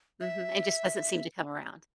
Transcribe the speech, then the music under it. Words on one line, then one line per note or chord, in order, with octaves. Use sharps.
Mhm, it just doesn't seem to come around.
E5